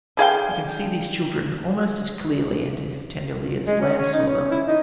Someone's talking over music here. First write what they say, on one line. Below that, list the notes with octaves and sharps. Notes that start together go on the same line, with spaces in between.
You can see these children almost as clearly and as tenderly as Lamb saw them.
D3 G#4 F5 G5
G#3
C#4
C#4
D#4
C#4
E4
D#4